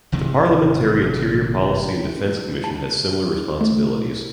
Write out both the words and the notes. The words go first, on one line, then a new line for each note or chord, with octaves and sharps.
The Parliamentary Interior Policy and Defence Commission has similar responsibilities.
G#1 C3 E3 G#3
A5
A3